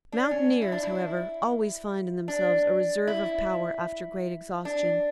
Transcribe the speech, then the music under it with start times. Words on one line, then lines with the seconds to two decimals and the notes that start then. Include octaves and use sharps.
Mountaineers, however, always find in themselves a reserve of power after great exhaustion.
0.12 D4
0.31 C#4
0.62 E4
0.72 D4
0.83 E4
2.28 D4
3.07 E4
4.65 D4